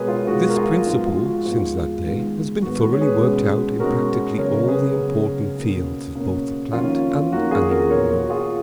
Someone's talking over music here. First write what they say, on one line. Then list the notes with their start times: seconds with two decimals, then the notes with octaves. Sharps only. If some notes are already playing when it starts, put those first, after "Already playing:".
This principle, since that day, has been thoroughly worked out in practically all the important fields of both the plant and animal world.
Already playing: B2 G#3 B3 G#4 A#4 B4 C#5
0.08 F4
0.27 B2 G#3 B3 F#4
0.49 A#4
0.56 F4 G#4
0.85 G#2 F3 G#3 B3
1.06 F4
1.24 F#4
1.44 G#2 F3 G#3 B3
2.03 G#2 D#3 G#3 B3
2.62 G#2 D#3 G#3 B3 F#4
2.81 F#4
2.93 C#5
3.01 G#4 B4
3.20 B2 G#3 C#4
3.79 B2 G#3 C#4 F#4 A#4
4.38 C#3 F#3 B3 A#4 C#5
4.68 G#4 B4
4.97 C#3 F#3 B3
5.56 B2 A#3 C#4
6.14 B2 A#3 C#4
6.73 F2 D#3 A#3 C#4 F4
7.32 F2 D#3 A#3 C#4 F#4
7.51 F4 G#4
7.71 F#4 A#4
7.90 A#2 F3 B3 A#4 C#5
8.10 F#4 A#4
8.24 F#4
8.30 F4 G#4